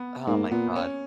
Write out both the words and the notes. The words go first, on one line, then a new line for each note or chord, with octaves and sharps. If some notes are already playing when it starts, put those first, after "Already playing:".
oh, my god.
Already playing: B3
G#2 A#3
A#2 B3
C#4